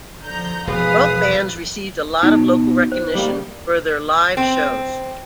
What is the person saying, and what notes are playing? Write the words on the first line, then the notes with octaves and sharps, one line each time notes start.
Both bands received a lot of local recognition for their live shows.
D3 F3 A#5 G6
E1 F3 G#4 B4 F5 D#6
B2 D#4
C5
G3 A#3
C4